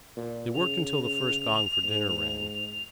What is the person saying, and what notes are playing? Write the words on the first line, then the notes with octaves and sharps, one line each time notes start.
They worked until the first gong for dinner rang.
A#2
C#3 F7
G#2